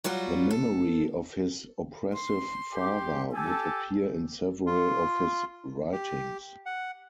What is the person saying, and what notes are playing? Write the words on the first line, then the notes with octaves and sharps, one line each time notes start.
The memory of his oppressive father would appear in several of his writings.
F#3 G3 F4 F#4
A4
C6
G4
G4 A4 G#5
F4
G4
F#5